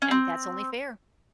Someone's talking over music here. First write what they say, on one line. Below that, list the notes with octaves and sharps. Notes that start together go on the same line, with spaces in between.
And, that's only fair.
C#4
C4